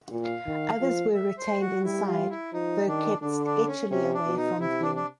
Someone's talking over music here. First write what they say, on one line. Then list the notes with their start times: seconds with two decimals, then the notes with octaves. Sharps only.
Others were retained inside, though kept sketchily away from view.
0.11 A#2
0.24 F5
0.46 D#3
0.81 F3
1.14 E5
1.38 C5
1.61 F#4
1.84 G3 E4
2.07 F4
2.30 E4
2.53 F3 D#4
2.87 D#3 D4
3.21 D3 D4
3.45 D4
3.68 C#4
3.90 C3 C#4
4.14 D4
4.25 B2
4.37 D#4
4.59 C3 E4
4.82 D4
4.95 D4